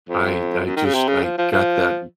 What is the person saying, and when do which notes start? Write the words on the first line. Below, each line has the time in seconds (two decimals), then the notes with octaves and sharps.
I I just I got that
0.09 F2
0.65 F#2
0.76 D#3
0.85 C#3
0.94 C3
1.08 C#3
1.23 F3
1.38 F3
1.52 F3